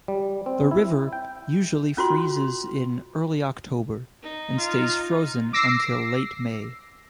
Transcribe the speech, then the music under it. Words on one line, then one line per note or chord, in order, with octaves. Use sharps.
The river usually freezes in early October and stays frozen until late May.
G3
C4
E4
G5
C#4 F4 F#4 C6
D#4
F4
D6 E6 A#6 C7